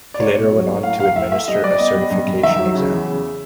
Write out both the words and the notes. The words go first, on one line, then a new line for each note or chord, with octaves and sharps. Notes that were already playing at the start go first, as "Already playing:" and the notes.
He later went on to administer a certification exam.
D5
A3 C#5
B2
F#3
A3
A2 F5
A2 F5
A2 E5
A3 E5
G3 D#5
G3 D5
B3 D#5
G3
G2
G2
D#3 E5
F#3
C#3
E2
C#3